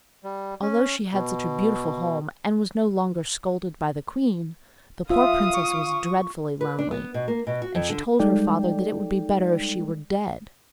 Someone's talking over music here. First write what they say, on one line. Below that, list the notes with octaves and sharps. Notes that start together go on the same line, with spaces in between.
Although she had such a beautiful home, and was no longer scolded by the queen, the poor princess was dreadfully lonely, and she told her father that it would be better if she were dead.
G3
C#4
B2
F4 E5 F5 D#6
C#6
B4
D4
B3
B2
A#3
B2
F#4
F2
D3
G3 G#3 D#4 A4 D5 G5